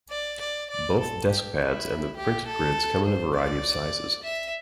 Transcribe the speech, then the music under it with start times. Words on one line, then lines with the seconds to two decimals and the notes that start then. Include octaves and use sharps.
Both desk pads and the printed grids come in a variety of sizes.
0.10 D5
0.40 D5
0.70 D5
0.99 A4
1.28 G4
1.59 E4
2.17 G4
2.46 A4
3.05 C5
3.35 D5
4.23 E5